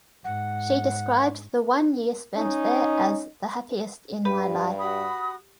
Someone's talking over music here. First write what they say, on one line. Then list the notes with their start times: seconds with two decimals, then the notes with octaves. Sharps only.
She described the one year spent there as the "happiest in my life".
0.24 G#2 F#5
2.36 C#4 D#4
4.25 G2 G4 B4
4.79 F#4 B5 D#6